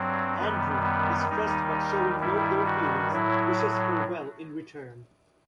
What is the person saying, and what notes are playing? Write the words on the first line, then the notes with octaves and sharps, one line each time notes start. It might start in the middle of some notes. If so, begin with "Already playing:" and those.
Andrew, distressed but showing no ill-feelings, wishes her well in return.
Already playing: G2 F#3 C4
F#2 D#3 G3 B3
B3
D#2 D#3 G3 D#4
G2 D#3 G3 E4
F#4
A2 F#3 E4